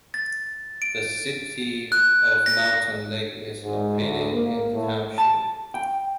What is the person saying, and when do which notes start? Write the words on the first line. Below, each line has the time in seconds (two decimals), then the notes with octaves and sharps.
The city of Mountain Lake is located in the township.
0.14 A6
0.82 D7
1.92 F#6
2.46 A#6
3.62 G#2
4.00 D2
4.33 A#3
4.74 A2
5.18 A5
5.74 G5